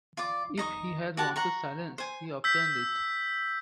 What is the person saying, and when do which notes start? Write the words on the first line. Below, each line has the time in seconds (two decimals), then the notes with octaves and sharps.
If he had wanted silence he obtained it.
0.17 F4 D5 D6
0.57 D#4 D#5 C#6
1.17 F#4 G4 F#5 A5
1.36 F#5 A#5 C#6
1.98 C5 G#5
2.44 E6 G6 B6